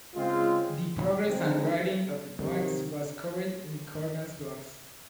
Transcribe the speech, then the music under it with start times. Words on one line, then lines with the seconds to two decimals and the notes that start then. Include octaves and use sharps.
The progress and writing of the poems was covered in Corgan's blogs.
0.15 C#3 G#3 C4 F4
1.27 C#2 C#3 F3 C4 D#4
2.39 C3 D#3